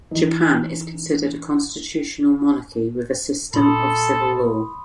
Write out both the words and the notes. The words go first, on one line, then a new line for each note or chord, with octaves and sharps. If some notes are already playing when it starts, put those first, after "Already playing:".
Japan is considered a constitutional monarchy with a system of civil law.
E3 D#4
A#2 A4 B5 C6 D#6